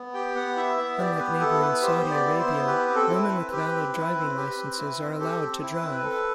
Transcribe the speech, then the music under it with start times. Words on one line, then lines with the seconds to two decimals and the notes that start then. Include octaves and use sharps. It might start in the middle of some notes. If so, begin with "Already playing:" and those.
Unlike neighboring Saudi Arabia, women with valid driving licences are allowed to drive.
Already playing: B3
0.14 G4 G5
0.35 B3 F#5
0.56 E4 E5
0.77 B3 E5
0.98 G4 D5
1.19 B3 B4
1.40 E4 A4
1.61 B3 B4
1.82 G4 C5
2.03 B3
2.10 D5
2.25 E4
2.39 C5
2.46 B3
2.67 G4 B4
2.88 C4
2.95 A4
3.09 E4
3.23 B4
3.30 C4
3.51 G4 B4
3.72 C4
3.93 E4
4.15 C4
4.36 G4
4.57 C4
4.78 E4
4.99 C4
5.19 G4 A4
5.41 C4
5.62 E4
5.76 B4
5.83 C4
6.04 A4